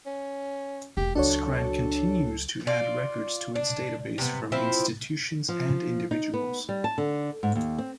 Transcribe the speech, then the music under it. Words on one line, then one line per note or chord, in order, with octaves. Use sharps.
Scran continues to add records to its database from institutions and individuals.
C#4
E1 G4
C#2 F#3 D4 F#4 A4 C#5
F4 D5
D4
C3 B3
F3 C4 E4
F3
D#4
B3
G3
A5
D3
G#2
D#2
C4